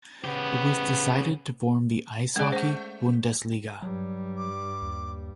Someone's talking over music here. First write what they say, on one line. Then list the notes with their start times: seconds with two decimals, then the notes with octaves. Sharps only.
It was decided to form the "Eishockey Bundesliga".
0.24 C#3 B3 G4
2.36 F2 C#3 G#3 G#4 D5
2.52 A3 C5 F#5
3.82 G2 F#3 G3
4.37 D6
4.82 D#2